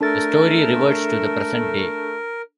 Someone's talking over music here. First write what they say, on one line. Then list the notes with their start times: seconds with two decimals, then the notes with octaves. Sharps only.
The story reverts to the present day.
0.01 A3 D4 A4 A#4 A6